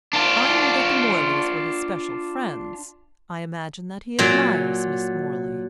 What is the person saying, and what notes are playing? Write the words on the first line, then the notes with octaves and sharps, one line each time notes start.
"I knew that the Morleys were his special friends; I imagine that he admires Miss Morley."
D4 F4
A#2 F#3